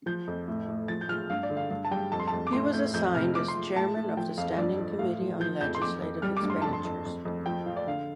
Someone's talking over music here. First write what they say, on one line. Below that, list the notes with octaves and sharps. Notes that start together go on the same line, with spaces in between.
He was assigned as chairman of the standing committee on legislative expenditures.
F3 G6
F2
A2
A2
F3 A6
G6
F3 F6
G2 F5
D5
D3
F5
G2 F5
A5
G3 G5
F2 A5
C6
F2 A5
D6
A2 C6
A2 G6
F2 G6
C3 F6
F3 D6
C6
F3
A2 A5
A2
F3 G5
F2 F5
G2 D5
F3
A2 F5
F3
F3 G6
F2 G6
C6
F2 D6
F2
G3 F6
D6
G2
C6
F2 A5
C6
F2
F2
F2
F3 G5
F3 F5
D5
D3 F5